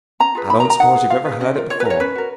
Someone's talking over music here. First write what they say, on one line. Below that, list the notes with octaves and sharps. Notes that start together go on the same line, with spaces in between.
"I don't suppose you ever heard it before."
C#4 A#5
F4 G#4 B4
D#4 B5
A#5
A#4
A#5
D#4 F#5
G#4 B4
F4 F5
G#4 B4
C#4 D#5
F4 A#4
F4 C#5
B4
A#4
C#5
C#4 B4
F#4 A#4